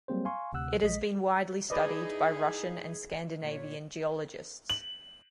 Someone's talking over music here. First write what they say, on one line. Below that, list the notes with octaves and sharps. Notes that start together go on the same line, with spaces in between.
It has been widely studied by Russian and Scandinavian geologists.
F#3 G3 A#3 C4 G#4 C5
F5 G#5 C6 C#6
D2 C3 F#5 E6 F#6
A#1 G#3 D#5 B6
D#4 E4 G#4 B4 D5 D#5
A#2 C#5
F#7